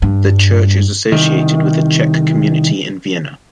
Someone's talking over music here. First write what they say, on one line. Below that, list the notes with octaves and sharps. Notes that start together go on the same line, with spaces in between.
The church is associated with the Czech community in Vienna.
G2
C2 D#3